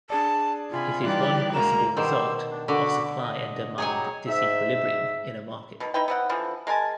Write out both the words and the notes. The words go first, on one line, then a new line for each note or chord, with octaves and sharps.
It is one possible result of supply and demand disequilibrium in a market.
D4 G#4 D5 A5
C3 F4 G#5 B5
E3 G3 D#4 G4 D5 F#6
D2 G#3 A#3 F#4 A#5 E7
B2 D#3 G3 C5 E6
D4
D3 F#4 B5 D6
D#5
F#3 G3 D#4 G#4 C#5 G#5
G#2 E5
B2 D#3
D#4 E4 B4 G5
B3 C4 F#5
D3 E3 F3
G#3 A#4 G#5 A5